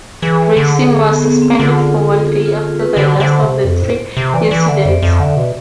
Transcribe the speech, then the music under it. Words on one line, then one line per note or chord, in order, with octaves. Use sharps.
Racing was suspended for one day after the last of the three incidents.
E3 G#4
D3
G#4
B3
B3
C4
G#4
D3 F4
G#4
F4
G#4
B4
D3 C5
D3
C3
F2
A2
C3
E3 D5
E3 D5
D3 E5
F2 D5
F2 E5
D3
B2